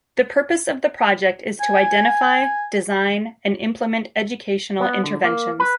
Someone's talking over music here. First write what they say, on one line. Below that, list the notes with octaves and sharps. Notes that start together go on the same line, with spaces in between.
The purpose of the project is to identify, design and implement educational interventions.
G#5
B3
D3
A#3
B4